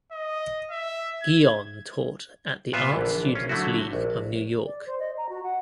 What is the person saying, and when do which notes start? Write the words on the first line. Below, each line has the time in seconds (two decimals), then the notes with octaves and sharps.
Guion taught at the Art Students League of New York.
0.12 D#5
0.71 E5
1.22 G#6
2.73 A#2 B3 F4 E5
2.93 A#1 D3 E3
3.35 C#4 F4
3.49 D3 F#3 A3 E4 F#4
3.93 A#1
4.66 D5
4.86 C5
4.99 D#5
5.18 A#5
5.29 F#4
5.43 F#5